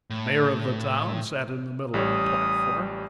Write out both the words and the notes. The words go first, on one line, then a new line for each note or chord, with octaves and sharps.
The mayor of the town sat in the middle of the platform.
A2
A1 G3 C#5 D#6